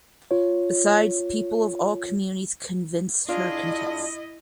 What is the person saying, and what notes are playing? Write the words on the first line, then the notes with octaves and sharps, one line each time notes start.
Besides people of all communities convinced her contest.
F4 C#5
D4 E4 F4 G#4 D#5